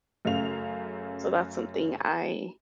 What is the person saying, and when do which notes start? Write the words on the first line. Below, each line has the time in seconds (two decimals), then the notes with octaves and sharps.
So that's something I
0.25 F#2 C#3 A3 F5 F7